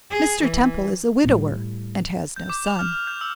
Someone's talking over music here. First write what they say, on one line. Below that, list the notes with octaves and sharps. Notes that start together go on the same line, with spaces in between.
Mr. Temple is a widower, and has no son.
G#4
E3
A2 G3
G6
D6
F7
F6
F6
G6
E6